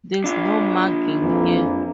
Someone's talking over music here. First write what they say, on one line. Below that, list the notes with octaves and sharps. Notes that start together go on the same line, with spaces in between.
There's no mugging here.
D4 F4
F2 E3 A#3